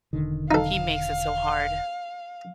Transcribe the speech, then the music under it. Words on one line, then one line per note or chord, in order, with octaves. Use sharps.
He makes it so hard
E1 D3 D#3
D#4 A4 F5